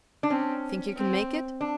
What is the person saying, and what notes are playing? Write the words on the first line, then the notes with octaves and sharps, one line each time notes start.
"Think you can make it?"
D4
C4 C#4
C4
D4